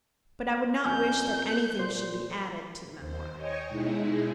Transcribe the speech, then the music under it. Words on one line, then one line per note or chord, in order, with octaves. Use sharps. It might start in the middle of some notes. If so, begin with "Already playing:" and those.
But I would not wish that anything should be added to the memoir.
F2 C#4 A#5 G6
A#2 C5
D#2 C5
C#5 D#5 G5 G#5 C#6
B2 G#3 D#4 E4 G#4